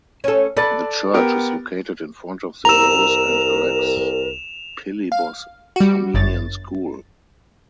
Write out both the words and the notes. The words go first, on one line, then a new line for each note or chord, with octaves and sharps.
The church is located in front of the Rose and Alex Pilibos Armenian School.
C#4 A4
A4 B4 D5 A6
B3 G4 A#4
C2 A#4 A#5 E6 E7 F7
F5
G3 F#4
G1 F#2 A6